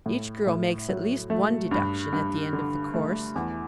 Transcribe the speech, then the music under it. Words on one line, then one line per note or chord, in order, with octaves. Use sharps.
Each girl makes at least one deduction at the end of the course.
A2
A2
F#3
A3
G2
G2
D3
A3
E2